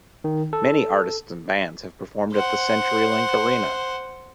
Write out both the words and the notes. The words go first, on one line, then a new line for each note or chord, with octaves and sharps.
Many artists and bands have performed at the Century Link Arena.
D#3
A4
C5 F#5